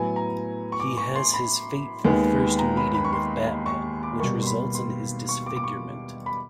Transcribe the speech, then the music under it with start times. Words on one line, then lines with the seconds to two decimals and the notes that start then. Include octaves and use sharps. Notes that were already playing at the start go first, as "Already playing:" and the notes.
He has his fateful first meeting with Batman, which results in his disfigurement.
Already playing: A2 F#3 B3 G#5
0.16 A#5
0.72 C#6
0.80 D6
0.97 C#6
1.16 C6
1.34 B5
2.04 D#2 D#3 G#3 B3
2.59 A#5
2.77 B5
2.94 B5
3.05 C#6
3.13 C6
3.66 C#6
4.03 D6
4.20 B2 G3 A#3 C#6
4.42 C6
4.47 B5
4.75 C6
5.29 C#6
5.46 D6
5.57 D6
5.64 C#6
6.26 B5